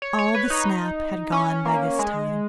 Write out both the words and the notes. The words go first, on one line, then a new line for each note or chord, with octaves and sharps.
All the snap had gone by this time.
C#5
C#5
B4
D#4
C#4
A#3
G#3